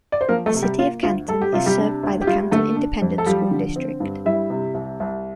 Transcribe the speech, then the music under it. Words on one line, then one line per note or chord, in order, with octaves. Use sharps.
The City of Canton is served by the Canton Independent School District.
D5
C5
F3 A#3 A#4
A3 A4
C3
G3 G4
A#3 F4
D2 F4
G3 A4
G4
C3 F4
G3 G4
D4
D2
G4
G3 F4
D3 A3 A4
D4
F2
A4
F3 G3 G4
D3
C4
G2
G3 E4 E5
C3
C2
C2